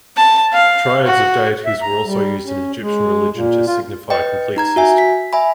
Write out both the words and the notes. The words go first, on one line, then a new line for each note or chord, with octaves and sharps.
Triads of deities were also used in Egyptian religion to signify a complete system.
A5
F5
F#4
E5
A#5
G3
C#4
G#3
A#2
F4
B4 D#5 G5
D#4 A#5 G#6
F#4 E5 G#5
B6
E5 G#5 B5